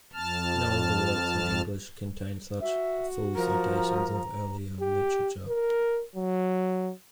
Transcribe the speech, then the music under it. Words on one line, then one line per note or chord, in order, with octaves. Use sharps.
No other works in English contain such full citations of earlier literature.
F2 A5 F6
F#4 E5
F3 A#4 A#5
G4
A#4
F#3